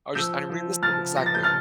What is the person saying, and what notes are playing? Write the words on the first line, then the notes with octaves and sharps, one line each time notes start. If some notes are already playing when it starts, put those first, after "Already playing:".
Oh, just unrealistic exactly.
F3 E6 G6
F3
F3 F6 A6
F3 A#6
A6
G6
F6 A6